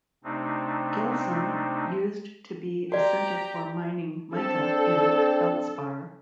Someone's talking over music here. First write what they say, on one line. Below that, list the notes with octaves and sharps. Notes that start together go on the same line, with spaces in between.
Gilsum used to be a center for mining mica and feldspar.
C3 A3 C4 D4 D#4
F#4 G4 D5 A#5
C4 D4 A4